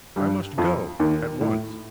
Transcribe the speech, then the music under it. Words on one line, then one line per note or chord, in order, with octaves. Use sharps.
I must go--at once.
G2 G3
F2 F3
D#2 D#3
A2